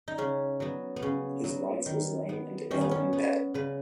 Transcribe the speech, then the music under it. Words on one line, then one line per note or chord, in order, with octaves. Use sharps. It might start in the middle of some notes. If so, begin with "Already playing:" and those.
His wife was lame and ill in bed.
D#4
C#3 C#4
F#3 B3
B3
C#3 C#4
F#3 B3
D#3
B3
D#3 C#4
B3
C#4
B3
C#3 B4